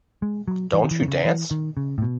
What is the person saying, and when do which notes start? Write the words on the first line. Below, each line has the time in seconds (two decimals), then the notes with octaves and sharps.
Don't you dance?
0.22 G#3
0.48 F#3
0.73 E3
0.84 D#3
0.91 E3
1.02 D#3
1.08 C#3
1.25 E3
1.51 D#3
1.77 C#3
1.98 A2
2.02 B2